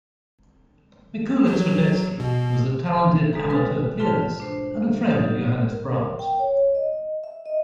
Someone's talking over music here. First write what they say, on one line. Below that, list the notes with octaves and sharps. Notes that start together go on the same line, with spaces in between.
Mikulicz-Radecki was a talented amateur pianist and a friend of Johannes Brahms.
F#3
B2
E5
B2 G#3 A4 A#5
G3 B4 G#5 C6 D#6 A6
G#2 F4 A5 F#6
D4 C5
F#3 D#4 G4
A#4
G5
C#5
D#5
E5
D#5